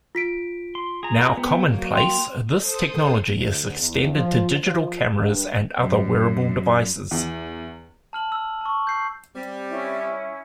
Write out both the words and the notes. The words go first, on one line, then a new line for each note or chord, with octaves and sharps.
Now commonplace, this technology is extended to digital cameras and other wearable devices.
F4 B6 D7
C6
G#4 A#5
B3 C4
F#3 A#3
G5 C6 F7
A4 C5 D#6
D2
E2
F3
F3
G2
F#2
E2
A5 F6 F#7
E6
A5 C#6
G6 C7
G3 C4
C#4 E4